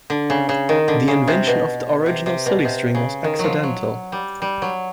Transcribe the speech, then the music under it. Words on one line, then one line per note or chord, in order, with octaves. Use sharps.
The invention of the original silly string was accidental.
D3
C#3
C#3
D#3
D3
C#3
C3
B2
C3
C3
B2
C3
C#3
D#3
F3 F#3
F#3
G3
G3
F#3